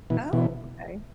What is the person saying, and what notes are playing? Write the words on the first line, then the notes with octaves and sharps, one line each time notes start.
Oh, okay.
B2 E3
B2 E3